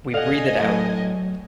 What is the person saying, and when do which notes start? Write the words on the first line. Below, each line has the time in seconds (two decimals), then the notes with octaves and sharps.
We breathe it out.
0.14 A4 D5 D#5 F5 F#5 G#5 F7
0.59 A2 F#3